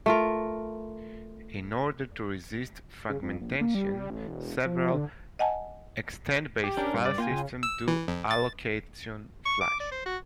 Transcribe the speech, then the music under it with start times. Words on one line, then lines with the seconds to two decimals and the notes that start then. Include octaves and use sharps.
In order to resist fragmentation, several extent-based file systems do allocate-on-flush.
0.06 A3 F4 A#4
3.10 C#3
3.22 F2
3.41 A#1
3.61 A#3
3.75 G3
4.10 A1
4.28 E1
4.65 F3
4.94 D3
5.39 D#5 F#5 G#5 A5
6.64 G4
6.77 C#4 D4 A#4
6.94 G2
7.05 D5
7.18 A#3 F4 G5 G#5
7.31 C#3
7.63 E6
7.88 E3
8.08 F2
8.31 A6
9.46 C#6
9.61 D6
9.80 D5
9.92 C5
10.06 F#4